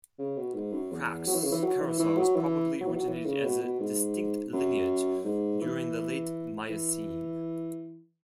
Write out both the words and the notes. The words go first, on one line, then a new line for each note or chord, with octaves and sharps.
"Crax" curassows probably originated as a distinct lineage during the Late Miocene.
C#3
B2
G#2
F#2
E2
F#3
E3
C#3
E3
F#3
E3
E3
F#3
E3
F#3
E3
F#3
E3
C#3
B2
B2
G#2
F#2
G#2
E3
E3